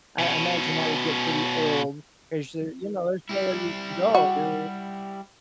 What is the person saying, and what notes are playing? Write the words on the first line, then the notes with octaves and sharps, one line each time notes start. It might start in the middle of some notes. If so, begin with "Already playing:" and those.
I I imagine that would get pretty old, 'cause there you know, there's nowhere you can go, you're
B2 C#4
G3 E4
F#4